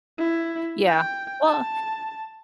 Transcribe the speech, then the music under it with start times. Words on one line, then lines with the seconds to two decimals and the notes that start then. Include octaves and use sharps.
Yeah. Well
0.18 E4
0.87 G5
1.47 A5